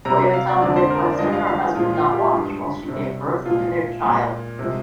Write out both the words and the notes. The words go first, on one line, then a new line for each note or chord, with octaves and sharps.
Toyotama requested her husband not watch while she gave birth to their child.
C3 G3 A#5
F5
D5
F2 D3 G#3 D5
C5
A#4
D5
G2 F3 G#3 D#5
F5
F5
G#4
A#2 F3 G#3 F4
F4
G4
G2 F3 G#3
C3 G3
A#2 F3 G#3 F4
A#2 G#3
C3 F3 G#3